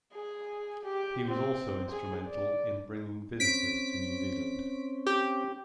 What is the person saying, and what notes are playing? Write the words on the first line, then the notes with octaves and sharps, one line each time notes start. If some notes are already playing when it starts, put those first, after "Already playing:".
He was also instrumental in bringing visitors to New Zealand.
G#4
G4
C4
G#4
D5
C4 C#4 B6 D7
G4